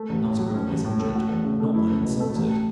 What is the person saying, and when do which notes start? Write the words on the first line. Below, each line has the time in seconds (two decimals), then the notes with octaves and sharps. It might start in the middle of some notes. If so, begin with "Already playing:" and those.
Not a girl was injured, not one insulted.
Already playing: A3
0.09 A1
0.24 A2
0.39 F#3
0.54 C#4
0.69 A1
0.84 A2
0.99 A3
1.15 F#4
1.29 E2
1.44 C#3
1.60 A3
1.74 E4
1.89 C#2
2.05 B2
2.20 A3
2.35 A1